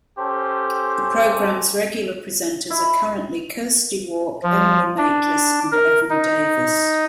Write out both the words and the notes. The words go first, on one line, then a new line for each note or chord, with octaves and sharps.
The programme's regular presenters are currently Kirsty Wark, Emily Maitlis, and Evan Davis.
C#4 G4 A4 C5
E4
F3
D4
A#4
D#4